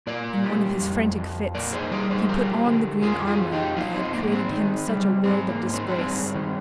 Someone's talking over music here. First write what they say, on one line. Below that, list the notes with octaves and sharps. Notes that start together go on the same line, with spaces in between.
In one of his frantick Fits, he put on the green Armour, that had created him such a World of Disgrace.
A#2 A#4 D5
G3
F2
F2
A#2 A#4 D5
G#4 C5
G3 A#4 D5
G#4 C5
F3 G4 A#4
D3
F2 F4 G#4
F4 G#4
F2
D#4 G4
F3 D4 F4
C4 D#4
G#2 A#3 D4
G#3 C4
D#3
G3
G#2 G#3 C4
A#3
G#2
G#3 C4
D4
G2 G#3 C4
D#3